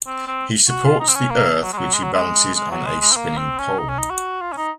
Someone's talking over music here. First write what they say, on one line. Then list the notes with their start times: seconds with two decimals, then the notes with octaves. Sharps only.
He supports the Earth which he balances on a spinning pole.
0.07 C4
0.27 C4
0.69 F#4
0.85 F4
1.00 D#4
1.08 C4
1.15 C#4
1.31 A#3
1.63 F#3
1.73 G#3
1.78 F#3
1.94 G#3
2.03 F#3
2.14 G#3
2.55 G#3
2.71 F#3
2.86 G#3
3.01 G#3
3.12 C4
3.17 A#3
3.38 C4
3.58 C#4
3.79 D#4
3.89 C#4
3.99 D#4
4.10 F#4
4.41 F4
4.52 C#4
4.57 D#4